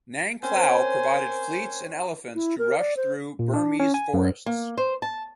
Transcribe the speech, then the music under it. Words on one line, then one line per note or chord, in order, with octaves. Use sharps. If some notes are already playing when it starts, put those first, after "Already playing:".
Nangklao provided fleets and elephants to rush through Burmese forests.
C4 C#4 A#4 C5 C#5 G#5
E4
A#4
D5
C5
A#2
D4
C#4
G#5
F#2
A#3
C5
A5